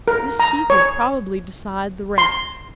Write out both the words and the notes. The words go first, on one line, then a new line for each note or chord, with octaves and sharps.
This heat will probably decide the race.
A#4
A#5
C#5
C6